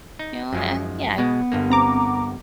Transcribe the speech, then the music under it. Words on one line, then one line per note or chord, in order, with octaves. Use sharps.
you know, eh, yeah, I
D#4
F#2 F3 G#3
B2 G#3 B3
G1 G2 A#3
C4 A#5 D6